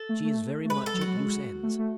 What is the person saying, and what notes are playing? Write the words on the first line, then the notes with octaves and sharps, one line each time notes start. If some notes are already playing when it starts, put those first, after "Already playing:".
She is very much at loose ends.
Already playing: A4
A3
A3
A3
G#3 B4
A4
F#3
F#4
F#3
G#3
A3
A3